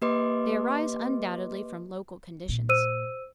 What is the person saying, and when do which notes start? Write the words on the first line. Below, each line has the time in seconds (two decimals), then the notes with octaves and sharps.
They arise undoubtedly from local conditions.
0.02 A#3 G4 B4 D#5 C6 D6
2.49 A#2
2.69 C5 E6 D#7